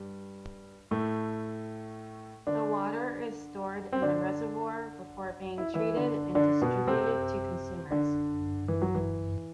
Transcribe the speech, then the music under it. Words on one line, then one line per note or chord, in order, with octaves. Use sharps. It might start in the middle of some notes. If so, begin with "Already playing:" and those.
The water is stored in the reservoir before being treated and distributed to consumers.
Already playing: G2 G3
A2 A3
D3 D4
C4
D3 D4
E4
E3 E4
D3 D4
D3 D4
B2 B3
C3 C4
D3 D4
E3
F#3
E3